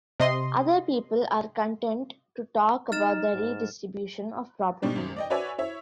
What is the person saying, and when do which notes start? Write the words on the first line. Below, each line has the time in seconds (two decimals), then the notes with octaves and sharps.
Other people are content to talk about the Redistribution of Property.
0.20 C3 D#5 C6
2.92 D#4 F6 A6 E7
3.33 G#2
4.82 G#2 B2 G3 D4
4.96 G#1 F#2
5.16 D5 D#5 G5
5.30 F#4 B4 C#5 D5 E5 G#5
5.58 E4 C#5 E5